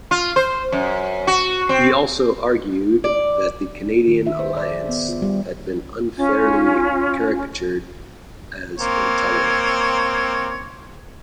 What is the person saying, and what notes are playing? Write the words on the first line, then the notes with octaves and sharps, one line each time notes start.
He also argued that the Canadian Alliance had been unfairly caricatured as intolerant.
F4
C5
F#2
F#4
C4
D5
D#3
E5
C5
D5
G#4
B3
F4
G3
C#4 F4
A#3 C4 C#5